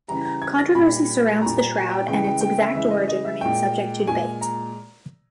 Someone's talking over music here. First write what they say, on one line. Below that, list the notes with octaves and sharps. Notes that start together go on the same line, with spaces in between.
Controversy surrounds the shroud and its exact origin remains subject to debate.
C#3 E3 G3 A#5
A#5
G#6
A#6
A#2 G3 B5
A#2 G3 A#5
A#5
G#5
G5
C#3 E3 G#3 G5
G5
G5
E5
C#3 E3 G#3 E5
D#5
D#5
E5
A#2 G#3 G5
A#2 G#3 G#5
A#5